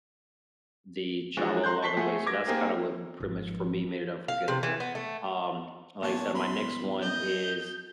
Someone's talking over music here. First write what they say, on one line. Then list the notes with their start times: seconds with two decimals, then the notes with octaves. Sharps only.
the travel along the way. So that's kinda what pretty much for me made it unforgettable. Um, like I said, my next one is
1.37 E3 F3 G#3 D4 F#4
1.63 A#5 C6 F#6 G6
1.82 A5 C#6 B6 C7 G7
1.97 A3 G#4 F#5
2.27 D6 G#6 A#6
2.47 A#3 C4 D#4 G4 G#4
3.20 G#1 F3
4.28 F5
4.48 C3
4.63 E3
4.80 B3
4.95 A3
6.03 E2 G2 A#2 C#5 A5
6.35 B5 C6
7.02 D#5 G6